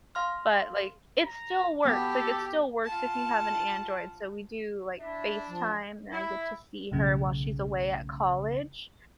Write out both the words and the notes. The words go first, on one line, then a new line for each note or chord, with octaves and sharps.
but, like, it still works, like, it still works if you have an Android, so we do like FaceTime, and I get to see her while she's away at college.
F5 C6 F6
A#5
B3 G4 A4
F4 F#5 A5
D4 E4 E5
F3 A5
E4
B1 E2 C#3 A3